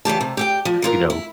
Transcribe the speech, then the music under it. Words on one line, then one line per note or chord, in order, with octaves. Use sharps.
you know,
C#3 E3 G4 A5
C3
G4 E5 G5
F3
E3 F4 A#4
E4